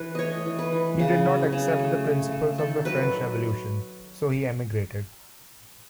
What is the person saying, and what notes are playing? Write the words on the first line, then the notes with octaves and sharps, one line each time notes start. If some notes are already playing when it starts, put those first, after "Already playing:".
He did not accept the principles of the French Revolution, so he emigrated.
Already playing: E3 B4
A3 C#5 D#5
E3
B4
E3
C#3
F#3
C#3
A3
A3
A3
D#3 A4
F#3 B4